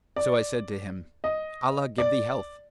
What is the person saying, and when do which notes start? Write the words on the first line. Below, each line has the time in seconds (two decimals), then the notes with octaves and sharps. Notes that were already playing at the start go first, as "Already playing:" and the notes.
So I said to him, 'Allah give thee health!
0.16 D5
1.24 D#5
1.98 D5